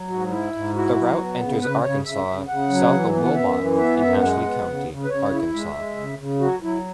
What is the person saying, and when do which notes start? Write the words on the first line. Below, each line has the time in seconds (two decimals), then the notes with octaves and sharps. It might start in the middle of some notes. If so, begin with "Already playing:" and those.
The route enters Arkansas south of Wilmot in Ashley County, Arkansas.
Already playing: F#3
0.08 G#2 F#4
0.30 E4
0.53 G#2
0.75 E4 F#4
0.96 F#3
1.17 B3
1.40 C#3
1.61 C#3 B4
1.83 C#3 C#5
2.05 C#3 E5
2.27 C#3
2.48 C#3 F#5
2.70 F#3
2.93 E3
3.14 B3
3.25 F#5
3.35 F#2 E5
3.58 E3
3.79 B3 E5
4.00 F#2 E5
4.22 G#3 F#5
4.44 B3
4.66 C#3
4.88 C#3
5.04 B4
5.09 C#3 C#5
5.32 E4
5.53 G#3 E5
5.75 G#3
5.97 C#3
6.18 C#3
6.40 F#3 F#4
6.62 F#3 E4